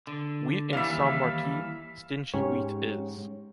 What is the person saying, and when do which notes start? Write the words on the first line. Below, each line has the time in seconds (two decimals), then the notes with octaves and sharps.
Wheat in Saint Martí, stingy wheat is.
0.07 D3
0.73 D#2 E3 G3 E5 F5
2.34 G#2 C#4 G4 C#5